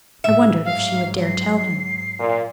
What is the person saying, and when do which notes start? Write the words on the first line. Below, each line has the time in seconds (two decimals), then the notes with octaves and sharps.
I wondered if she would dare tell him.
0.24 A2 E5
0.65 G#2 F#3 F5
1.26 C7
2.20 A#2